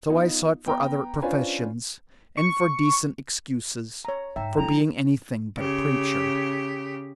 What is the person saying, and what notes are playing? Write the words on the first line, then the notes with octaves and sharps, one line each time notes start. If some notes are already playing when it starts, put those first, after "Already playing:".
So I sought for other professions and for decent excuses for being anything but a preacher.
B3 D#4 F4
B3 G5 A#5
C#4 D4 F4 B4 C5 G#5
C#6
C#5 A#5
G#2 E5 G5 A#5
F3 G#3 D4 E4 A4 A#5
C#3 G4